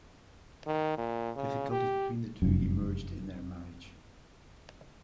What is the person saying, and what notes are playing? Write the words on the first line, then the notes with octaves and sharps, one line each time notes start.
Difficulties between the two emerged in their marriage.
D#3
A#2
C#3
G4
F1 F#2